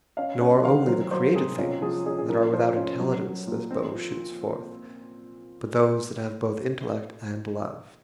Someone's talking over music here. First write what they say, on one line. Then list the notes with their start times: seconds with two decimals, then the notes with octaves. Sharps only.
Nor only the created things that are Without intelligence this bow shoots forth, But those that have both intellect and love.
0.17 C#4 F5
0.40 C#4 F#5
0.65 D#3 F5
0.88 F#3 C5
1.11 F#3 C5
1.35 C3 G#4
1.58 C#4 F4
1.82 F3 G#4
2.06 C#4 G#4
2.18 G#4
2.29 F3 A#4
2.53 F3 C5
2.77 C#4
3.00 F#3
3.24 F#3
3.47 A#2
3.71 C4
3.94 F3